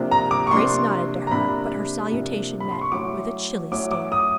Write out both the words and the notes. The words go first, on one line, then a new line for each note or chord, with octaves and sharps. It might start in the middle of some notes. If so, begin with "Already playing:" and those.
Grace nodded to her, but her salutation met with a chilly stare.
Already playing: C3 F3 A#3 D4
A#5
D6
C#6
C3 F3 A#3 D4 C6
A#5
C3 F3 A#3 D4 B5
C3 F3 A#3 D4
B5
C6
C#6
F#3 A3 C#4 E4 D6
F#3 A3 C#4 E4 D6
D6
D#6